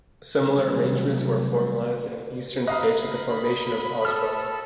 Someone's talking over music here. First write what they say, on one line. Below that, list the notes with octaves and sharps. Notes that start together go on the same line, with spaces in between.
Similar arrangements were formalised in the eastern states with the formation of AusBone.
C3 D#3 F#3 G3 A3
D#5 F5 A#5 B5 F#6
A4 D#6 F6